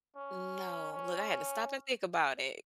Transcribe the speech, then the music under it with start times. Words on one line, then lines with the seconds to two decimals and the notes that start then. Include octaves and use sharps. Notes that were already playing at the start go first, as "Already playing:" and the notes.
No, look, I had to stop and think about it
0.16 C#4
0.92 C#4